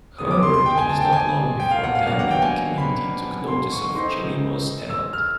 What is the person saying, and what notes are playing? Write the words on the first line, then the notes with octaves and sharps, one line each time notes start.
However, it was not long before the athletic community took notice of Chelimo's talent.
B2 G#3 B3 D#6
D6
C6
C6
G5
G#5
A5
G5
G#5
G5
F5
F#5
F5
B2 F#3 A#3 D4 F5
F#5
G5
G#5
B5
C6
C#6
E3 A3 C4 D#4 C6
E6
F6